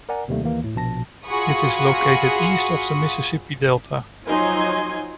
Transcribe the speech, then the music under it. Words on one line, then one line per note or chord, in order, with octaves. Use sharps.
It is located east of the Mississippi Delta.
A#4 D5 F#5 G#5 A#5
D#2 C3 D#3 G3 A3 A#3
D#2 E3 A#3
A2
A#1 B2 A5 A#6
F4 F#4 G#4 B5 C#6 D#6
F3 F#3 D#4 D#5 G#5 C6